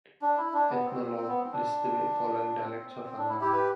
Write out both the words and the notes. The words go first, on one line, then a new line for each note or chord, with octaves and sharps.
"Ethnologue" lists the following dialects of Angami.
D4
E4
D4
B3
C4
C4
C4
B3
C4
D4
C4
C4
C4
C4
D4
E4
E4 G4
G4 B4